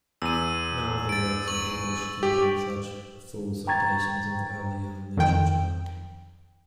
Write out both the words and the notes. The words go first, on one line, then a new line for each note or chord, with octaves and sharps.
No other works in English contain such full citations of earlier literature.
E2 E6 D#7
A6 D7
C#6 F#7
G4
G5 A#5 C#6 G#6 A6
F2 D#3 G5